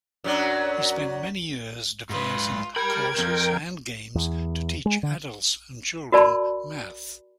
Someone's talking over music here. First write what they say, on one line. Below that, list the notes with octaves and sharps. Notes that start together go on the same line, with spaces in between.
He spent many years devising courses and games to teach adults and children math.
F#2 F#3 D4
G#2 F4 B4
G4 A#4 G5 B5 G#6
F3 C4
E2
G#3
D3
F#4 A#4 D5 A5 B5 C6